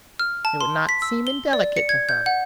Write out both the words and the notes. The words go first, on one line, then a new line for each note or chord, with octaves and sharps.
It would not seem indelicate to her.
F6
A5
C6
B6
E6
G7
D5
C#7
G#6
G6
F#5